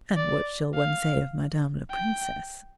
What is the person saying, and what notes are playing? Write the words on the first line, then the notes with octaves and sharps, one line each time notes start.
"And what shall one say of madame la princesse?"
D5
F5
G5